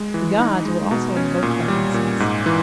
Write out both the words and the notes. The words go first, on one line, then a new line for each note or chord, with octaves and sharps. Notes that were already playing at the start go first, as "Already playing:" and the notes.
The gods were also invoked by incense.
Already playing: G#3
E3
D#4
G#3
B2
C#4
A#2
G3
A#2
G#2
E3